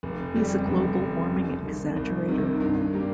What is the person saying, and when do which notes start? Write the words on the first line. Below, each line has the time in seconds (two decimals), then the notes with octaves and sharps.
He's a global warming exaggerator.
0.03 F1
0.35 F2 C#3 G3
0.67 F1
0.99 F2 C#3 G3
1.31 C2
1.65 C3 D#3
1.96 C2
2.29 C3 D#3
2.60 G2
2.93 G3 A#3